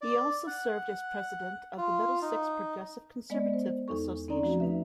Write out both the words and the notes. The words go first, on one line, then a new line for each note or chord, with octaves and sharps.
He also served as president of the Middlesex Progressive Conservative Association.
D5
F#5
F4
D#4
G#3 B3 D5 D#5
B3 C5
E2 D#4 A4 C#6
C4 C#4 D#4 D5 A#5
F3 A3 F#4
D#4 B4 E5